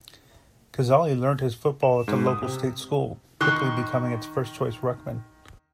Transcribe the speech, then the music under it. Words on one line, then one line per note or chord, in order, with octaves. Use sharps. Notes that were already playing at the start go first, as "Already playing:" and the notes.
Cazaly learnt his football at the local state school, quickly becoming its first-choice ruckman.
E7
G#2
D#6
C3
D#3 C6 C#6 F#6